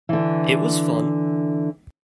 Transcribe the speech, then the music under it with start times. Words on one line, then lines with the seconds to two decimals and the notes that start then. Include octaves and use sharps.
It was fun.
0.09 D3 E3